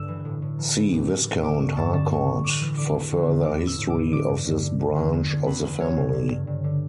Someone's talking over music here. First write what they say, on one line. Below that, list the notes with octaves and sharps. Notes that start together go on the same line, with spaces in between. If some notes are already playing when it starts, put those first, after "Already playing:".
See Viscount Harcourt for further history of this branch of the family.
Already playing: G2 D3 E6
E3
A2
A2
E3
E3
A2
A2
E3
D3 D6
G2 C#6
G2 A5
D3 A5
E3 C#6
A2
A2 D6
E3
D3 D6
E2
E2
D3
E3 D6
A2
E6
A2
D6
E3
D3 D6
G2
G2
D3
D3
E2
E2
D3
E2 B5
E2
E3 C#5
C#3
D3
G2
G2
D3